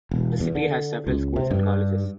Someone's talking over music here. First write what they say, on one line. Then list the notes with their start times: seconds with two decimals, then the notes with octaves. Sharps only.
The city has several schools and colleges.
0.11 E1
0.40 E2
0.55 D3
1.07 C#2
1.36 C3
1.51 G2